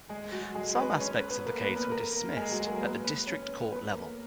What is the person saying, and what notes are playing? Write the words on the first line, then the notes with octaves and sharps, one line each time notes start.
Some aspects of the case were dismissed at the District Court level.
G#3 G#4
F#3 F#4
G#3 G#4
B3 B4
C#4 C#5
B3 B4
B3 B4
A#3 A#4
B3 B4
B3 B4
A#3 A#4
G#3 G#4
F#3 F#4
A#3 A#4
B3 B4
B3 B4
C#4 C#5
B3 B4
A#3 A#4